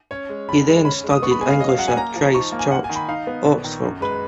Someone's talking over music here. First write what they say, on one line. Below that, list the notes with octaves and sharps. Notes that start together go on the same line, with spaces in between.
He then studied English at Christ Church, Oxford.
C#4 C#5
G#3
F2 B5
G#3
C#4 B5
G#3
D#6
B3 C#6
B5
G#3 G#5
F5
C#4 D#5
F5
F#3 F#5
G#5
A#3 A#5
F3
D#4 C#6
A#3
G#5
A#3 F#5
G#5
D#3
B5
D#4 F5
B3
A#1
D#3
F#2
G#3 B4